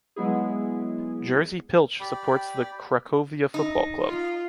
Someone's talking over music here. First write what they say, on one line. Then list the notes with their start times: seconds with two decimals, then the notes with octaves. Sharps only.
Jerzy Pilch supports the Cracovia football club.
0.16 F#3 G#3 B3 E4 G#4
2.00 G4 D5 G5 B5
3.54 D#4
4.06 F4